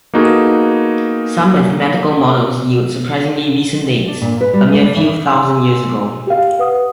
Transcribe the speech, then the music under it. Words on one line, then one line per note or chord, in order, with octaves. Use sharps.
Some mathematical models yield surprisingly recent dates, a mere few thousand years ago.
A#3 B3 D#4 F#4 G#4 A4
D4
A#2
B4
G3
G#3
D4
E3
G#5 C6 E6
G4 F5
B4 F#5 D#6